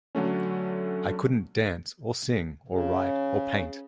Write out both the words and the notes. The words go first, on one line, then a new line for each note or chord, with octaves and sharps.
I couldn't dance or sing or write or paint.
D3 F#3 A3 C#4
C#3